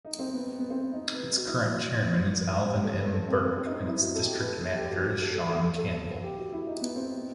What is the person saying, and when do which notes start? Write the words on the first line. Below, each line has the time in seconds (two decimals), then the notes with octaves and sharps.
Its current chairman is Alvin M. Berk, and its district manager is Shawn Campbell.
0.05 D#4
0.19 C4
0.34 B3
0.59 B3
0.70 C4
0.92 D#4
1.14 B4
1.37 F#4
1.47 E4
1.56 F#4
2.69 G4
2.84 A4
2.99 B4
3.13 A4
3.28 C4
3.43 C4
3.57 C4
3.66 D#4
3.72 C4
3.87 E4
4.02 F#4
4.15 A4
4.24 G4
4.40 B4
4.46 A4
4.60 A4
4.75 G4
4.90 F#4
5.05 F#4
5.20 A4
5.34 A4
5.49 A4
5.64 A4
5.78 A4
6.23 G4
6.38 F#4
6.52 E4
6.67 D#4
6.81 B3
6.96 C4